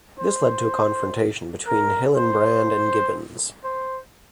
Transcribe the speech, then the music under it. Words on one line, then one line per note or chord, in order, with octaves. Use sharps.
This led to a confrontation between Hillenbrand and Gibbons.
C5
A#4
C5
C5